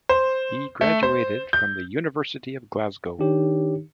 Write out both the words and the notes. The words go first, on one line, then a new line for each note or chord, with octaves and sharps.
He graduated from the University of Glasgow.
C5
A3
C5
G6
D#3 D4 G4 C#5